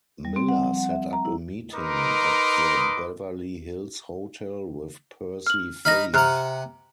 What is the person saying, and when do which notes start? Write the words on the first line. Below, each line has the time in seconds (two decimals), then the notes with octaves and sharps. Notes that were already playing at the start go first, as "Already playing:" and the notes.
Miller set up a meeting at the Beverly Hills Hotel with Percy Faith.
0.25 G3
0.36 C4
0.49 F#5
0.63 F3
0.77 F#5
0.91 E5
1.13 A#5
1.25 E4
1.73 D#4 A#4 B4 D#5 C6 D6
5.47 F6 F#7
5.85 D#4 F5 B5 F6 A#6
6.14 C3 F#5 A#5 F6 F#6